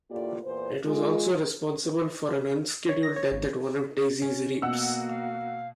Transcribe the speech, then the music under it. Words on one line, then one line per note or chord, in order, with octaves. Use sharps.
It was also responsible for an unscheduled death at one of Daisy's reaps.
D2 A2 A#3 F4 G4 D5
E2 A#2 B4 C5
G#3 F4
C#5
A#6
C#5
G#1
C#4
B2 A#3 F#4 F#5 E6
F5